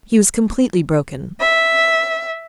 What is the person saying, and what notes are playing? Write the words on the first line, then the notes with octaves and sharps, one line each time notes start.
He was completely broken.
E5